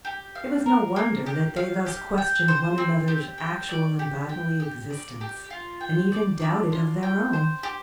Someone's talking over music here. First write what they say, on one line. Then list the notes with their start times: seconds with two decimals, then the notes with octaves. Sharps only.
It was no wonder that they thus questioned one another's actual and bodily existence, and even doubted of their own.
0.05 G4
0.35 F5
0.66 A#4
0.96 A#3
1.26 G4
1.56 F5
1.86 G4
2.18 G5
2.48 C5
2.78 C4
3.08 G4
3.38 G5
3.69 D5
3.99 G4
4.29 G5
4.60 G4
4.90 D5
5.21 G4
5.50 F4
5.81 G5
6.12 D5
6.42 D4
6.72 F4
7.03 G5
7.33 C5
7.63 G4